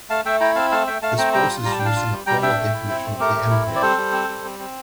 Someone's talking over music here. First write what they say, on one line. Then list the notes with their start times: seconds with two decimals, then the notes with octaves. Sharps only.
This force is used in the formal definition of the ampere.
0.10 A3 F5 A5
0.25 A3 E5 G5
0.40 E4 G5 A#5
0.55 C4 F5 A5
0.71 A3 F5 A5
0.87 A3 E5 G5
1.02 A3 F5 A5
1.18 C4 G5 A#5
1.33 G3 G5 A#5
1.49 F4
1.64 G3 A#5
1.72 A5
1.79 D4 G5
1.85 F5 A5
1.96 F4
2.12 G3
2.26 G3 G5 A#5
2.42 D4 E5 G5
2.58 A3
2.74 E4
2.89 C4
3.04 A3
3.20 A3 G4 A#4
3.35 A3
3.50 E4
3.66 C4
3.76 D5
3.82 G3 A4 C5
3.97 G3
4.12 C4
4.28 G3
4.44 C4
4.59 C4